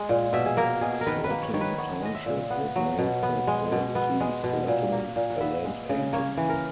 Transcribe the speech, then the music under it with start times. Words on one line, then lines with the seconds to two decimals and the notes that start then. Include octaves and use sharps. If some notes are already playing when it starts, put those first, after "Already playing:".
Sletten Township was named for Paul C. Sletten, a land agent.
Already playing: G#3
0.09 A#2
0.33 B2 E5
0.46 G#4
0.57 A#3 A#4
0.81 B2 G#4
1.01 A#4
1.06 D#3 B4
1.24 B4
1.30 A#3
1.43 C#5
1.54 D#3 C#5
1.61 B4
1.78 B3 C#5
2.02 G#3 D#5
2.15 E5
2.26 A#2
2.50 B3 F#5
2.76 F#3
2.99 B2
3.23 B3
3.47 G#3
3.72 B2
3.95 B3
4.20 G#3
4.44 B2
4.68 A#2
4.92 A#3
5.16 A#2
5.30 F#5
5.40 B3 E5
5.65 G#3
5.89 C#3
6.13 A#3 C#5
6.37 E3
6.49 A#4